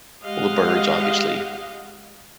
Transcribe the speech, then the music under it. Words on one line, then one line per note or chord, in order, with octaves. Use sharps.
well the birds, obviously,
G#3 G4 D#5 F5 F#5